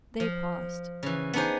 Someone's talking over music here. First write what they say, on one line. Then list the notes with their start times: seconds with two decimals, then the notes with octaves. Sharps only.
They paused.
0.20 F3
1.03 C#3 E3
1.33 B3 D4 D#4 G#4 C5